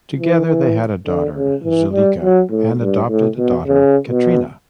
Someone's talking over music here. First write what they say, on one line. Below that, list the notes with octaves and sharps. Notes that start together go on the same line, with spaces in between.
Together they had a daughter, Zuleika, and adopted a daughter, Katrina.
E3
D3
C#3
E3
G3
F#3
A2
G2
A2
B2
C#3
B2